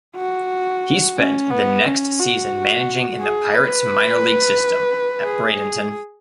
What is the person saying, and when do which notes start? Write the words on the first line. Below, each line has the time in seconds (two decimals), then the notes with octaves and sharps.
He spent the next season managing in the Pirates' minor league system at Bradenton.
0.16 F#4
1.18 C#4
1.50 B3
1.86 C#4
2.19 F#4
3.21 G#4
3.53 B4
5.24 G#4